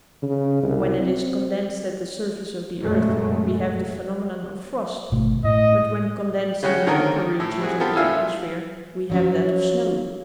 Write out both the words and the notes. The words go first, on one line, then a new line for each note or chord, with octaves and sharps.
When it is condensed at the surface of the earth we have the phenomenon of frost, but when condensed in the upper regions of the atmosphere we have that of snow.
C#3
C2
C4
F1 F#2 A#2 F#3 G#3 A3
G#1 B2 A3
A2 D#5
C#3 G3 C#4 F#4 G4 C#5
D3 D#3 C4 C#4 A4 A#4
A2
G3 C4 F#4 G#4
B3 F4 G4 A4
A#1 E4 F4 F5 G#5 E6
F3 F#3 C#4